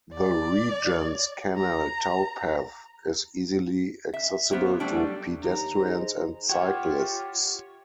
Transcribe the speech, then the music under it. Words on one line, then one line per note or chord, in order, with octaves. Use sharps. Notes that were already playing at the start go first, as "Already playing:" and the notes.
The Regents Canal towpath is easily accessible to pedestrians and cyclists.
D5
A#5
E5
A#3 B3 C5
F#3 G3 A3 D4
D#2 A#5
D#4 G#4 C5
F4 G4 C#5 E5 F#5 G5